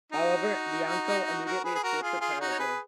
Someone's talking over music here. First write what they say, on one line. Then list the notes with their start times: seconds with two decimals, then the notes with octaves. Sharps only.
However, Bianco immediately escaped to Paraguay.
0.12 D#4 F#4
1.46 F#4 A#4
1.64 G#4 B4
1.75 G#4
1.83 F#4 A#4
2.02 F4 G#4
2.21 F4 G#4
2.40 D#4 F#4
2.51 C#5
2.59 G#4 B4